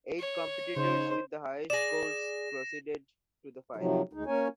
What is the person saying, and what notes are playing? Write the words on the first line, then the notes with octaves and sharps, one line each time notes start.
Eight competitors with the highest scores proceeded to the finals.
C#5
C#3 D#4 C5
G#4 D5 A#6 E7
C3 D#3 F3 F#3
D2 G#3 D#4
A#3 C#4 A#4 C#5 G#5